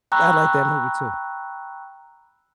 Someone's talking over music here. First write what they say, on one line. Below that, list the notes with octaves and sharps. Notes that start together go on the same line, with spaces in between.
I like that movie too,
G5 A#5 B5 C#6 E6 F#6